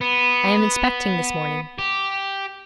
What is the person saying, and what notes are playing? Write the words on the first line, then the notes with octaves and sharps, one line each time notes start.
I am inspecting this morning.
B3
G4